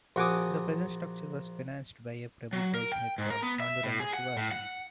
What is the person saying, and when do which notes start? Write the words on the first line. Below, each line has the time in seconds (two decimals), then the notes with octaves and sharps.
The present structure was financed by a Prabhu goldsmith called Pandurang Shivaji.
0.16 A#1 F#4 G#5 D6 D#6
2.53 F#3
2.75 A#4
2.92 G5
3.18 G#2
3.30 A#4
3.43 B3
3.60 E5
3.83 A2
4.00 G#4
4.13 F#5
4.37 A2
4.51 F#5